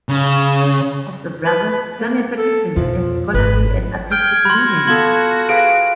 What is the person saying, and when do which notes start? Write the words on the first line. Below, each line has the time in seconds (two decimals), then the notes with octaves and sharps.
Of the brothers, John in particular had scholarly and artistic leanings.
0.09 C#3
1.45 B4
1.99 A#3
2.38 A4
2.76 F2 B2 F3
3.34 G#1 B4
4.12 G5 F6 G#6
4.45 F#4 B5 C6
4.87 B3 F4 A4 C6
5.49 G#4 B4 F5 D7